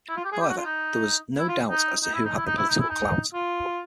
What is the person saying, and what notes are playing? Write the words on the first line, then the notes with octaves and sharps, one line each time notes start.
However there was no doubt as to who had the political clout.
E4
F4
G4
G#4
G4
F#4
F4
D#4
E4
F4
D#4
D#4
E4
D#4
E4
D#4
E4
D#4
E4
D#4
F4